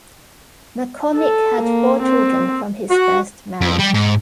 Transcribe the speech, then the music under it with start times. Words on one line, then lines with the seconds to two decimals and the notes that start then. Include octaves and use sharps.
McCormick had four children from his first marriage.
1.17 A4
1.61 A#3
2.02 C4
2.91 F#4
3.61 F2
3.79 G3
3.94 G#2